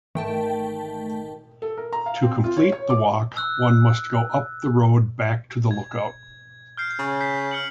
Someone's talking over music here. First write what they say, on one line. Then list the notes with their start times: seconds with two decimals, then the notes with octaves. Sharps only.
To complete the walk one must go up the road back to the lookout.
0.15 G#1 E3 A3 G5 A5
1.62 A4
1.77 A#4
1.93 A#5
2.06 F5
2.22 C4
2.44 F4
2.57 C#5
2.72 C#5
2.90 D6
3.37 E6 F#6
5.71 G#6
6.77 F6 G6 C7
6.99 C#3
7.21 G6 B6 C7
7.51 F6 C#7 F#7